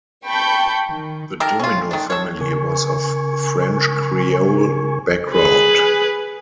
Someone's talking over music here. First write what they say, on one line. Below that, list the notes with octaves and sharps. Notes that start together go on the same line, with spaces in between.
The Domino family was of French Creole background.
G5 A5 B5 C#6 G6
D#3
D#3 G4 A4 A#4
C#4 F4
D#3 D4
A4 C#5
C#3 A#4 G#5 C#6
G#4 B4